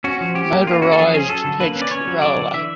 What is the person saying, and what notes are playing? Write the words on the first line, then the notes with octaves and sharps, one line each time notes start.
Motorized pitch roller.
C#4 F#4
F3
C#4 G4
A#3
A#3 F4
C#4 F#4
A4
F3 G#4
C#4 G#4
F#3 A4
D3
A#3 B4
C#4
D5
C#4 C#5
F#3
D3 D5
D3
E3 E5